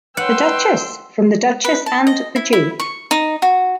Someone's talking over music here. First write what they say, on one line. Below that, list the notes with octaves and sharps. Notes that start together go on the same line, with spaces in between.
"The Duchess" from The Duchess and The Duke!
B4 F#5 G5 C6 E6
B4
A5
D#5
E4
E4
C#6
D#4
F#4